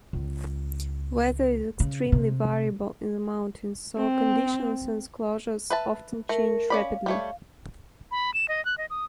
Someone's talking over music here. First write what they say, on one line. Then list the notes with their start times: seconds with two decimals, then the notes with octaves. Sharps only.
Weather is extremely variable in the mountains, so conditions and closures often change rapidly.
0.13 C#2
1.80 C#3
2.12 C3
3.97 C4
5.70 B4 E5 A5
6.29 A3 A#4
6.70 C#4 D5 F5 B5
7.06 G3 A3 C#5
8.11 B5
8.34 E7
8.48 D#5
8.65 F#6
8.78 D#5
8.90 D#6